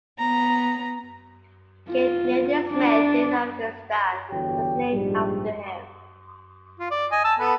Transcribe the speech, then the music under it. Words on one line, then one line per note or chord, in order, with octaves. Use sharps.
Camp Nathan Smith in Afghanistan was named after him.
B3 A#5
F4
D4 D5
G1 E2 F#4 G4 C#5 G5
A#1 G#2 G3
F4
D5
D#5 G#5
A5 E6
B3 A4 B4